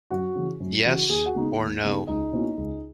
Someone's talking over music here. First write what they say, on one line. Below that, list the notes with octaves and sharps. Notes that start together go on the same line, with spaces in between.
Yes or No?
F#2 F#4 F#5
C#3 E3
F#2
C#3 E3 F#4 F#5
D#2 G#4 G#5
F#4 F#5
C#3 G#3 B3 D#4
D#2
C#3 G#3 B3 D#4
C#2 D#4 D#5
B2 A#3 C#4 E4
C#2